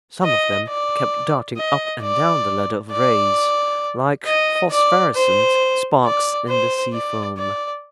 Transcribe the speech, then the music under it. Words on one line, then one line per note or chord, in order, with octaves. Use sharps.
Some of them kept darting up and down the ladder of rays, like phosphorescent sparks in the sea foam.
D#5
D5
D#5
D5
D5
D#5
D5
C5
D5
C5
D5
D5